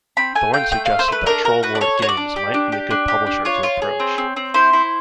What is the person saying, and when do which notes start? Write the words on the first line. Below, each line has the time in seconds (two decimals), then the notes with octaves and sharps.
Thorne suggested that Troll Lord Games might be a good publisher to approach.
0.17 C4 B5
0.35 A3 G#5
0.53 F4 G5
0.72 A3 G5
0.86 A3 F5
0.99 C5
1.08 A3 B4
1.26 D4 A#4
1.44 F#4 A#4
1.63 F#4 B4
1.75 D5
1.81 A4 C#5
1.99 F#4 C#5
2.09 D5
2.17 D4
2.36 G4
2.54 D4
2.72 G4
2.91 D4
3.08 G4
3.27 D4
3.45 F4 C#5
3.63 F4
3.82 G#4
4.00 C4
4.18 C4
4.36 C4
4.54 E4 C5
4.73 E4